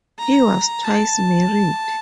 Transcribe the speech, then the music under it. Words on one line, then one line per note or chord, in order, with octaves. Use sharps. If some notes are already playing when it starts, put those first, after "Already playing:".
He was twice married.
A#5
A5